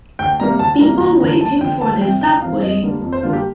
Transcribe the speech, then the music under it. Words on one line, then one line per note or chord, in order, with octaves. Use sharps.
People waiting for the subway.
D2 G5
C3 G3 A#3 A#5
D2 A5
C3 G3 A#3 A#5
D#2 A#5
D3 F3 A#5
D#2 A5
D3 F3 G5
D2 A5
C3 F3 G5
D2 G5
C3 F3 F5
F2 D#5
D3 G3 A#3
F2
C5
D3 G3 A#3 F4
G4